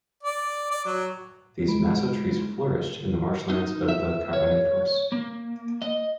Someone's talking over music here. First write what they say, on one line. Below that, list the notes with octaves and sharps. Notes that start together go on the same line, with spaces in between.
These massive trees flourished in marshlands of the Carboniferous.
D5
D5
F#3
G#3 B5 D7
D#4
E5
C#5
A#3
D#5